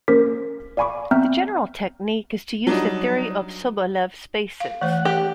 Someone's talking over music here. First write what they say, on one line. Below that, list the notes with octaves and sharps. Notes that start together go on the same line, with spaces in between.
The general technique is to use the theory of Sobolev spaces.
A#3 C#4 A#4 C5 D6 B6
D5 F5 G#5 B5 C#6 D6
B3 C4 E5 A#5 F6 G6
F#3 G3 D4 D#4
F5
E3 A3 C5 F#5
G4